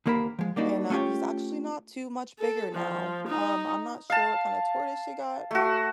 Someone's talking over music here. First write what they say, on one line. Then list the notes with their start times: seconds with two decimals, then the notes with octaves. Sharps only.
and, um, he's actually not too much bigger now. Um, I'm not sure what kinda tortoise she got,
0.06 D#2 D3 A#3 A#4 C5 B5
0.39 F3 G#3
0.56 G3 A#3 D4 D#4 F#4
0.90 A3 C#4 F4 G4 C#5
2.39 A4
2.75 F3
3.27 D#4
4.10 F5 A5
5.51 A3 F#4